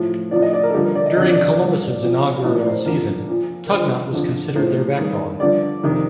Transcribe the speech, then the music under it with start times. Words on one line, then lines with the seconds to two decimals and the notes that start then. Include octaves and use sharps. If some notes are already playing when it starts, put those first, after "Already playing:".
During Columbus' inaugural season, Tugnutt was considered their backbone.
Already playing: A2 F3
0.31 A2 F3 D5
0.42 D#5
0.53 D5
0.63 A#4
0.70 A4
0.74 G2 D3 F3 G4
0.85 A#4
0.95 D5
1.06 D#5
1.17 F2 D3 F3 D#5
1.30 D5
1.45 D5
1.59 G2 D3 F3
2.01 A#2 F3
2.44 A2 F3 D#5
2.59 D5
2.66 C5
2.72 A#4
2.86 F2 D3 F3 A#4
3.28 A#2 F3
3.66 A#4
3.71 G2 F3 C5
4.13 F2 D3 F3
4.56 A2 F3 C5
4.98 G2 D#3
5.40 G2 D3 F3 D5
5.83 F2 C3 D#3